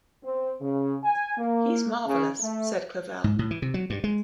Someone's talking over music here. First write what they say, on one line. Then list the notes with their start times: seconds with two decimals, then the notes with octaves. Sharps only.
"He's marvelous," said Clavell.
0.23 C4
0.61 C#3
1.04 G#5
1.37 A#3
2.06 C#3
2.40 A3
3.24 G#2
3.39 A2
3.51 E3
3.62 C3
3.74 F#3
3.90 G2
4.04 G#3